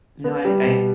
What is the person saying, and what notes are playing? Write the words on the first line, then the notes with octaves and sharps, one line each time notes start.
No, I I
B3
G3
B2